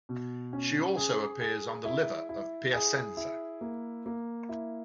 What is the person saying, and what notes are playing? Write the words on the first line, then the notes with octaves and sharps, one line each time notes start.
She also appears on the Liver of Piacenza.
B2
C#4
G#4
G#4
E4
E4
G#4
E4
A#3
A#3
E4